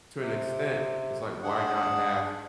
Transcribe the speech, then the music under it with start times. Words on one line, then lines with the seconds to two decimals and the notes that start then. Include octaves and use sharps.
to an extent, it's like, why not have
0.20 C3
1.43 D4 G#4 F#5